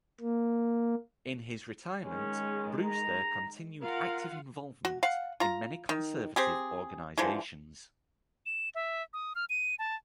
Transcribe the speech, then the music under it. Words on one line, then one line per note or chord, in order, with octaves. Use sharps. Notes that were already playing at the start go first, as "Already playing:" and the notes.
In his retirement Brewster continued active involvement in many conservative organizations.
A#3
D#3 G#3 C#4
A#5
F4 A#4 F5 F#5
F#4
F5 F#5
F4 A#5
D#3
C4 G4 G#4
D3 E3 F3 G#3
E7
E5
D#6
F6
D#7
A5